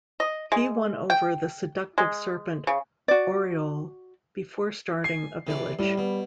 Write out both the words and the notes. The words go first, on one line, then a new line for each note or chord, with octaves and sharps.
He won over the seductive serpent Oriol before starting a village.
D#5
G#3
G5
G#3
C#3
F#4 D5
G#5 C7
C3 E3 D5
A2 G3
B2